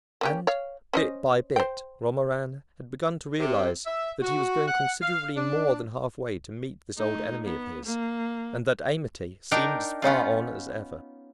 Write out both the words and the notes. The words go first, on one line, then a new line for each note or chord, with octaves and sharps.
And bit by bit, Romarin had begun to realise that he was going considerably more than halfway to meet this old enemy of his, and that amity seemed as far on as ever.
A#3 C#4 G4
C#5 F5
C#4 C5 D#5
C5 G5
C3
E5
F#4
F#5
F5
D4
A3 D#4
B3
A#3
D4 D#4 A#4 D#5 G5
B3 C#4 D#4 F4